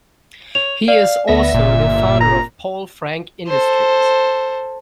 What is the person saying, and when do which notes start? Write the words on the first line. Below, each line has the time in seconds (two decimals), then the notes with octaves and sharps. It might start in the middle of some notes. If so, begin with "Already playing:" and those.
He is also the founder of Paul Frank Industries.
0.55 C#5 F7
0.88 D5 F5
1.28 D2 B3 E5 A#6
1.52 G1 A#2
2.21 A#5
3.48 A4 C5